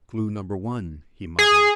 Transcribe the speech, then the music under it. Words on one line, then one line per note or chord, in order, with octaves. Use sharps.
"Clue number one!" he muttered.
G#4